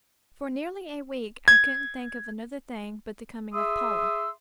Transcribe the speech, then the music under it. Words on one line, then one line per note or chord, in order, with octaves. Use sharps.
For nearly a week I couldn't think of another thing but the coming of Paula.
G#6
G#4 E5 C6 D#6 E6